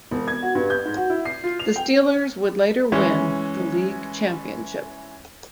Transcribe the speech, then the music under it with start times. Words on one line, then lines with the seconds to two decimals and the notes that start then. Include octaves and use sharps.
The Steelers would later win the league championship.
0.11 E1
0.28 G#6
0.43 F#4
0.55 G2
0.70 G6
0.85 G#2
0.97 F#4
1.10 E4
1.25 C7
1.43 F4
1.60 F7
1.76 G5
2.92 E3 G#3 C#4